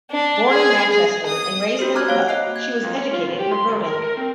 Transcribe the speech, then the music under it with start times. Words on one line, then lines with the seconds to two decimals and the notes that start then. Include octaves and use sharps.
Born in Manchester and raised in a pub, she was educated at Roedean.
0.11 D4
0.49 G#4
0.90 G#4
1.26 D#6
1.79 D4 F#4 G4 C5
1.95 A#5 D6 F6 F#6 G#6
2.08 A#3 C#5 F5
2.27 F#4 D#5 F#6 C7 D7
2.56 G#6
2.83 F2
2.96 C#4
3.13 F4
3.27 B2
3.39 G4
3.51 C6
3.68 D2
3.86 A#4
4.04 A#4
4.17 C4